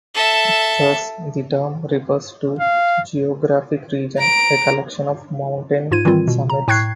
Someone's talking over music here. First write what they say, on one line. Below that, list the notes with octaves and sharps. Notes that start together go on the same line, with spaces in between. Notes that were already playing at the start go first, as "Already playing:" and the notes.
Thus the term refers to a geographic region; a collection of mountain summits.
A4 E5
F5
A#5 D7
G#2 F4 G#6 D#7
D#3 E3 G3 C4 F4
B2
A#5
A2 G5 C#6 F#6 G#6 C7